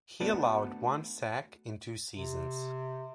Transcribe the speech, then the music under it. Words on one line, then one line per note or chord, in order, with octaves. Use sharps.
He allowed one sack in two seasons.
A3 B3 D4 F#4 A4 B4
C3